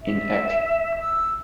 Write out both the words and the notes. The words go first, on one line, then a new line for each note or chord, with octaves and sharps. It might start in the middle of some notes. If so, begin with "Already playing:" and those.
In Eq.
E5
E6